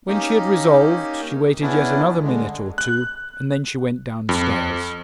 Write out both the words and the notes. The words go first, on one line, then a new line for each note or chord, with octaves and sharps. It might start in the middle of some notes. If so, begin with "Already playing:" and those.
When she had resolved, she waited yet another minute or two, and then she went down-stairs.
A#3 C#4 D#4 G4
C#3 B3 C#4 D4 E4
D3 G#3
F#6
F2